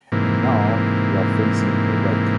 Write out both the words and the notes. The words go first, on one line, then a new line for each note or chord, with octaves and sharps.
And now we are facing a wreck.
G#2 C3 E3 A#3